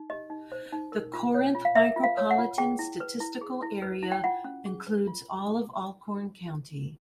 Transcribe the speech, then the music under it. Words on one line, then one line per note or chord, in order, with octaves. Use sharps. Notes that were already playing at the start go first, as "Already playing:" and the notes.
The Corinth Micropolitan Statistical Area includes all of Alcorn County.
Already playing: D#4
G4 D#5
D#4
C5
D#4
A#4
F4
C#5
F4
F5
A#4 E5
F4
F5
C#5
F#5
F4
G#4 G5
E4
B4
E4
G#4
E4
B4
E4
G5
F4 F#5
C#4
G#4
B4
F4